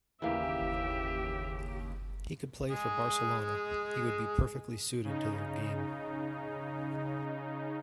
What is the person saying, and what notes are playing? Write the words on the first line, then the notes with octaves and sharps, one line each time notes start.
He could play for Barcelona, he would be perfectly suited to their game.
D#2 C#3 E3 A#3 G4 E5
G#3 G#4
C#3 D#4